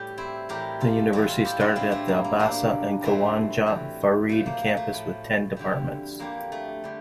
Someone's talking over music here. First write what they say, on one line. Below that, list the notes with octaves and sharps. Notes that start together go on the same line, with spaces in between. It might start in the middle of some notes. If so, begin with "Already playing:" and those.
The University started at the Abbasia and Khawaja Fareed campuses with ten departments.
Already playing: A2 G3 G4 A4
C4 E4
A2 E3 G3 G4 A#4
F4 A4
A2 E3 G3 F4 A4
F4 A4
E4 G4
D4 F4
A2 G3 C4 E4
A3 C4
A#3
A#3
A2 G3 A#3 D4
A2 E3 G3 A3 C4
A2 E3 G3
A2 F3 A3
A#3
A#3
A3
A2 F3
F2 D3 G3
F2 D3 G3 A#3
A3
D3 G3